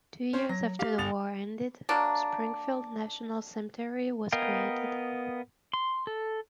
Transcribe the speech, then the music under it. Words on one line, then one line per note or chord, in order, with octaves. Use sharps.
Two years after the war ended, Springfield National Cemetery was created.
C#4 C5
F#3 A#6
G4 F5
G1 B3 A6 F7
F#3 A#3 D4
B3 A#4 D#5 F5 G5
C6
A4